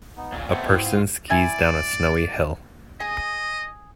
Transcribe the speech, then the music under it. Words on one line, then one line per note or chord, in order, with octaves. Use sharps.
A person skis down a snowy hill.
B3 D#4
A1 D2 A#2 C#3
B2 A3 B3 C4 C5 E6 G#6 C#7
G#2 B2 E3 E4 G#6
F4
C3 E4 D5 G#5
G#4 D#5